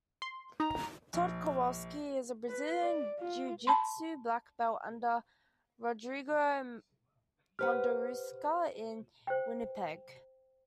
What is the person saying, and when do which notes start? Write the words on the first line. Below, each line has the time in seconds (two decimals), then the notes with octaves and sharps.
Todd Kowalski is a Brazilian jiu-jitsu black belt under Rodrigo Mundaruca in Winnipeg.
0.22 C6
0.60 D#4 A#5
1.13 A#1
2.49 B4
2.82 D5
3.19 F4
3.67 A5 B5 C6
7.59 G4 B4 C5 F#5 F6
9.27 C5 G5